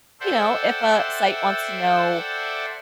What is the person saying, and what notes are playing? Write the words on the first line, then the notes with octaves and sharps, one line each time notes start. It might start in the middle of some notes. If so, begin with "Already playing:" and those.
you know, if a site wants to know,
A4 C5 D5 E5 F#5 G5